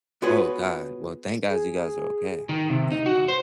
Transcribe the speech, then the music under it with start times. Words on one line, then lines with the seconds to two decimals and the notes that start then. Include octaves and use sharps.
Oh, god. Well, thank gods you guys are okay, you know?
0.22 B3 F4 F#4 G#4 B4 C#5
1.48 G#4
2.49 D#3
2.70 C3
2.92 D#4
3.06 F#4
3.28 C5